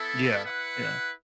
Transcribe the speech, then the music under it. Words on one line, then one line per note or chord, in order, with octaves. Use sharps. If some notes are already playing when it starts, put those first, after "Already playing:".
Yeah, yeah.
Already playing: B3 E4 A4 E5
E4 B4 F#5